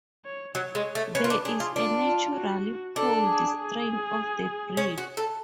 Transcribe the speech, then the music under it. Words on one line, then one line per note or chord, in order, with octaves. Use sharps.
There is a naturally polled strain of the breed.
C#5
F#3 C#5
G#3
A3
C#4 B4
F4
D4
D4 G#4
F4
D4 F4
F4
F#4
D4 A4
G#4
G#4
C#4
F#4
A4